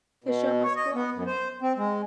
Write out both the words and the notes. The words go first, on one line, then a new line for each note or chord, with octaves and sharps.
The Show Must Go Off!
B2
C#5
D#5
B3
F#2
C5
C4
G#3